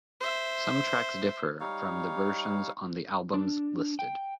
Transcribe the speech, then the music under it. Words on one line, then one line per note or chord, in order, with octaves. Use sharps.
Some tracks differ from the versions on the albums listed.
C5 E5
G3 D#4 C#5 F5
D4
G5